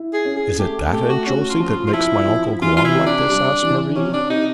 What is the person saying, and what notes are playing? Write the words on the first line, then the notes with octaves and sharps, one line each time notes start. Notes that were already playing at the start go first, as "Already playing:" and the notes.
'Is it that, Aunt Josey, that makes my uncle go on like this?' asked Marie.
Already playing: E4
G#4
C#4
G#4
A3 G4
A3 G4
F#4
C#4 F#4
F4
F3
F4
F4
F3 E4
F3
E3 F4
F4
E4
C3
D4
G3
E3
C3 C#4
D4
C3 D#4